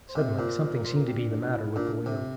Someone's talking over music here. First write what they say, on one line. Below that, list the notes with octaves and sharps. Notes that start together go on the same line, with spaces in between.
Suddenly something seemed to be the matter with the whale.
C5
C3
A#2 C5
A#4
C5
A#4
G4
D4
D4
E4
A#2 D4
C3